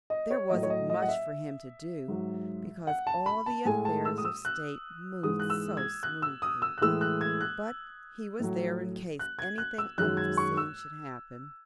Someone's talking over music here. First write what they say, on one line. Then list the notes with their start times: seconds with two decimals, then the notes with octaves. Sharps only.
There wasn't much for him to do, because all the affairs of state moved so smoothly, but he was there in case anything unforeseen should happen.
0.10 D#5
0.31 C#5
0.49 A2 F#3 D#5
0.63 C#5
0.70 D#5
0.90 D#5
1.02 F#5
1.09 E5
2.08 G#2 F#3
2.87 F#5
3.07 A5
3.26 B5
3.46 A5
3.65 A2 G#3 G#5
3.85 A5
4.05 E6
4.18 D#6
4.25 E6
4.45 F#6
5.23 G#2 E3 G#3 D#6
5.40 F#6
5.50 E6
5.77 G#6
6.03 F#6
6.22 E6
6.42 D#6
6.62 E6
6.78 F#6
6.81 A2 E3 G#3 E6
7.01 F#6
7.21 G#6
7.41 F#6
8.40 A2 F#3
9.19 F#6
9.39 G#6
9.58 F#6
9.78 E6
9.98 F#2 D#3 G#3 F#6
10.17 G#6
10.37 C#6
10.57 E6